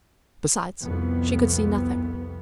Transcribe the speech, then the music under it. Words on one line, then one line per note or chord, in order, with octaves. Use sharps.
Besides, she could see nothing.
C2 F2 B3